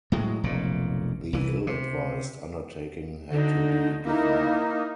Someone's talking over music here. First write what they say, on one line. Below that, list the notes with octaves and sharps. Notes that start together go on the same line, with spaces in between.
The ill-advised undertaking had to be given up.
A2 F#3 G#3
F1 B1 A#2 C#3
C2 E3
C3
D3 D#4 F#4
A#3 D#4 E4 A#4